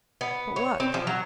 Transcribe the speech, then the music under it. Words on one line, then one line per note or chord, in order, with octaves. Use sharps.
But what?
B3
C#5
C4
F3
F#3